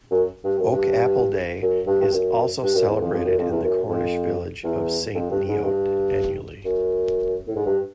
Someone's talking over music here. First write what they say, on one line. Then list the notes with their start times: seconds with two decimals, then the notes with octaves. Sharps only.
Oak Apple Day is also celebrated in the Cornish village of Saint Neot annually.
0.11 F#2
0.44 G2
0.59 F#2
0.72 G2
1.62 F#2
1.87 G2
2.01 G2
2.13 F#2
2.63 G2
2.75 F#2
2.88 E2
3.01 F2
3.13 F2
3.25 F#2
3.38 F2
3.51 E2
3.63 F#2
3.89 F2
4.64 E2
5.15 F2
5.31 G2
5.48 G#2
5.64 G2
6.65 F#2
7.48 A2
7.56 G#2
7.66 G2